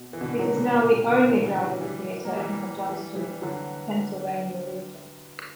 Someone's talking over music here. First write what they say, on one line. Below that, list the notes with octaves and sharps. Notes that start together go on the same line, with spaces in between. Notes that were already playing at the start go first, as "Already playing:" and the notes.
It is now the only drive-in theater in the Johnstown, Pennsylvania region.
Already playing: B2
E3
B2 D3
D3 F#3
A#2 C#3
A#2
B2
B2 D3
C#3 E3
C#3 E3
E3 G3
E3 G3
A#3
E3 G3
E3 G3
E3 G3
D3 F#3